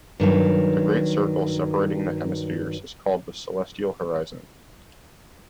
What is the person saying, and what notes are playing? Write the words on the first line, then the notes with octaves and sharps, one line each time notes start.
The great circle separating the hemispheres is called the celestial horizon.
G2 D#3 F#3